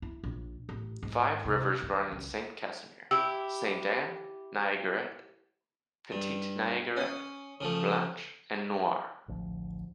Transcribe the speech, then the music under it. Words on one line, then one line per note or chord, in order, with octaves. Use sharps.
Five rivers run in Saint-Casimir: Sainte-Anne, Niagarette, Petite Niagarette, Blanche and Noire.
E4
A#1
A1
G#2
C3
D#3
C#2
E4 G4 E6
G2
C#4 D#6
C#3 F3 A3
A1 D2 F3